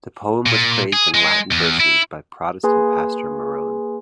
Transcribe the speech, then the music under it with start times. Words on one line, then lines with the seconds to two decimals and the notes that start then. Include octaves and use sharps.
The poem was praised in Latin verses by Protestant pastor Marron.
0.46 A#2
0.93 G#4
1.14 G#3
1.51 E2
1.80 E4
2.63 A#3 G#4 B4 G#5 C6